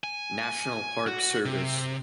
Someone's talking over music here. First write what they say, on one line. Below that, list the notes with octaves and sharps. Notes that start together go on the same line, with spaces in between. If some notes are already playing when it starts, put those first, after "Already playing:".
National Park Service.
G#5
F#4
C3